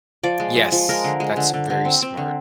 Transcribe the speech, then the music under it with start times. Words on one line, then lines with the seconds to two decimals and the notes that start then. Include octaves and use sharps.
Yes. That's very smart.
0.23 F3 D5
0.40 G#3
0.56 F3
0.72 F3
0.89 G#3 A#4
1.04 D3
1.20 G#3
1.37 D3
1.54 D3
1.70 D3
1.85 C4
2.02 C4
2.17 D3